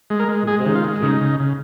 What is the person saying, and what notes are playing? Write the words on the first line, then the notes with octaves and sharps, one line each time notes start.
The bolt clicked.
G#3
A#4
G#3
G#3 G#4
D#3
F4
G#3
C#3 D#4
C#3
C#3